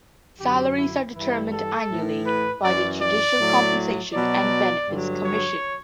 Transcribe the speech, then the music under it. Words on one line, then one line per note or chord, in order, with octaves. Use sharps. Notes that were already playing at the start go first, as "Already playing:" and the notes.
Salaries are determined annually by the Judicial Compensation and Benefits Commission.
F#2 D3 F#3 G4
E4
G2 E3 E4
A4
A2 E3
B4
F#2 E3 D5
D5
A2 F#3
B2 F#3 D5
G2 D3 F#3
C#5